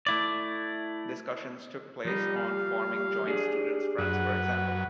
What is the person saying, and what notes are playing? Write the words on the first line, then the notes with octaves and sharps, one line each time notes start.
Discussions took place on forming joint students fronts, for example.
A3 E4 D5
F3 G3 D#4 G4
F5
D4 G#4
F#2 B4
F#5